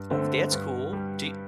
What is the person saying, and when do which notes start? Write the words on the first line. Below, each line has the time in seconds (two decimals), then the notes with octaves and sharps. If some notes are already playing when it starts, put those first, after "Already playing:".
Oh, that's cool. Do y
Already playing: G2
0.10 D3 A3 C4
0.52 G2
0.93 G3